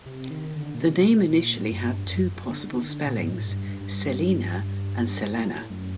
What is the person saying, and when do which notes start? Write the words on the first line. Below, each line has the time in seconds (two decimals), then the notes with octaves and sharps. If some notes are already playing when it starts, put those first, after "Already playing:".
The name initially had two possible spellings: Selina and Selena.
0.06 C3
0.30 D#3
0.56 D3
0.74 A#2
0.81 C3
1.05 A#2
1.30 A#2
1.55 A2
1.71 F#2
1.80 G2
2.06 F#2
2.50 D3
2.69 D#3
2.87 D3
3.06 A#2
3.15 A2
3.22 G2
3.30 A2
3.44 G2
3.81 G2
5.33 A2
5.70 F#2